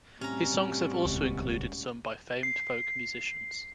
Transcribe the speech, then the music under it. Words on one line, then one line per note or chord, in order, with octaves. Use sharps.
His songs have also included some by famed folk musicians.
A2 C3 G3 C#4 F#4 A#5
D#1 C#2
C7